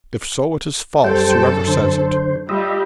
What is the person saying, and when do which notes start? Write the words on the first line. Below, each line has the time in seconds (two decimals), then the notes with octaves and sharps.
If so, it is false, whoever says it.
1.04 F#2 G3 A4 C5 G5
1.67 D3 C5
2.49 G3 F4 D#5 E5